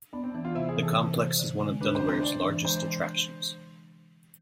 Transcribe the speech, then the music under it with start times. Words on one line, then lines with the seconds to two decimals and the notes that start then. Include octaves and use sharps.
The complex is one of Delaware's largest attractions.
0.13 B3 D4
0.24 C4
0.34 E3 D4
0.45 F4
0.55 C3 E4
0.69 G#4
0.76 E3
0.83 A4
0.97 C3
1.17 C3
1.40 D3
1.60 G#3
1.81 D4 B4
1.95 C5
2.02 D4
2.09 C5
2.23 D4 D5
2.43 E3
2.64 G#3 C5